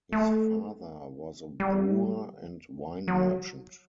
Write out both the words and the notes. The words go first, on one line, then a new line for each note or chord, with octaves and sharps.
His father was a brewer and wine merchant.
A3
G3
F#3